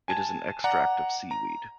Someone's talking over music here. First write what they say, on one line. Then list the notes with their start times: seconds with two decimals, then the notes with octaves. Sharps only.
It is an extract of seaweed.
0.08 G#5 A5 G#6
0.64 D5 F#5 A#5
1.31 A#5